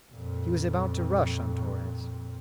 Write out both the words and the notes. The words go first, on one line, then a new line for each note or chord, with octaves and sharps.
He was about to rush on Torres.
F2 A#2